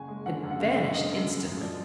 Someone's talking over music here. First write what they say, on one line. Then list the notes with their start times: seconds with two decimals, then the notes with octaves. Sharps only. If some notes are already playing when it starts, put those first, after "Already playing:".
It vanished instantly.
Already playing: F#1 G#5
0.08 G#3
0.26 D3 F#5
0.43 F#2
0.51 F#5
0.59 F#1 F5
0.76 G#3
0.94 D3 D#5
1.11 F#2
1.27 F#2
1.45 F#2
1.61 F3 D5